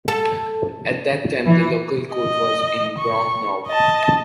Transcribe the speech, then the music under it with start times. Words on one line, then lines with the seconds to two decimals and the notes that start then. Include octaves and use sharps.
At that time, the local court was in Braunau.
0.08 A4
1.46 E3
2.15 D#5
2.98 C#6
3.67 D#5 A5